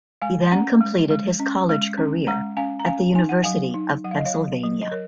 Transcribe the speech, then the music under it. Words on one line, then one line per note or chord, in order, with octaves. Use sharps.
He then completed his college career at the University of Pennsylvania.
G#3 F5 G#5
C#4 F#5 A#5
G#3
G#3
C#4
G#3
C#4
G#3 F#5 A#5
C#4 F5 G#5
A#5
C#4 F5 G#5
D#4 G#5
F#5
F#3 F5 G#5
D#4
F#3 F#5
F5
D#5
C#5 F5
F#3
F#3
D#5
A#4 C#5